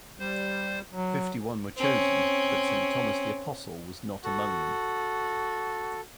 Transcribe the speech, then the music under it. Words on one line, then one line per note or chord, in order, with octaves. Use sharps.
Fifty-one were chosen, but Saint Thomas the Apostle was not among them.
G3 C5
F#3
C4 C#4
F#4 A4